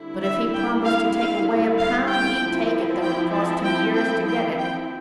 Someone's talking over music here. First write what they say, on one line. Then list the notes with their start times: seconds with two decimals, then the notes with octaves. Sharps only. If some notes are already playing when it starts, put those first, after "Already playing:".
But if he promised to take away a pound, he'd take it, though it cost him years to get it.
Already playing: D3 G3 C4 E4
0.22 E5
0.53 G5
0.84 F5
1.16 F5
1.78 F5
2.09 G5
2.40 F3 C4 E4
3.02 G5
3.33 A5
3.64 G5
3.96 G5
4.26 G5
4.57 G5